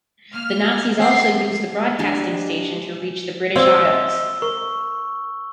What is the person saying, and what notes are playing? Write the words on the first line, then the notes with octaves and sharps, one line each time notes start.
The Nazis also used the broadcasting station to reach the British Isles.
A#3 F6
C4 F#5 C7
D4 G4 D#5 F5 G#5
C4 C#5 D5 F5 E6 G7
D#5 E5
A#4 C#6